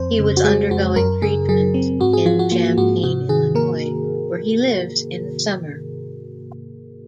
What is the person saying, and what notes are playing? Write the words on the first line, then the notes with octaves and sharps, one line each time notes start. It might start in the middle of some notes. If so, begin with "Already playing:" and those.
He was undergoing treatment in Champaign, Illinois, where he lives in the summer.
Already playing: F2 C4 C5
C#3
F#4
G#3 G#4
F2 F#4
F#2 A#4
C#3 G#4
F#3 G#4
C4
G#2 F#4
G#4
F3 F4
F#4
A#3 F4
G#2 F#4
C3 F#4
D#3 G#4
A#3 A#4